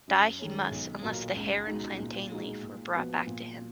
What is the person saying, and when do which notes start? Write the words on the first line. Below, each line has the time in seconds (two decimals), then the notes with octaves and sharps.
Die he must unless the hair and plantain leaf were brought back to him.
0.07 F#2
0.39 D#3 G#3 C#4
0.71 B1
1.03 A#2 F#3 A#3
1.36 C#2
1.67 B2 G#3 D#4
1.99 A#2
2.31 G#3 D#4 F#4
2.63 A#2
2.95 F3 B3 F#4
3.27 A#2